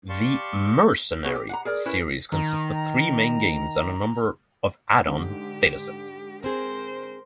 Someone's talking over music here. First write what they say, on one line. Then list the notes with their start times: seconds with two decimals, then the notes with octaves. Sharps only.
The "Mercenary" series consists of three main games and a number of add-on datasets.
0.09 G4 D5 F5 A5 C6 C#6
1.24 B3 F#4 G#4 B4
1.35 G4
1.49 F#5 A#5
1.65 G#4 A#4 D5
1.86 C#4 E4 A#4 B4
2.32 D#3 A#5
5.07 G#2 D3 G4
6.44 C4 G#4 A#4 C5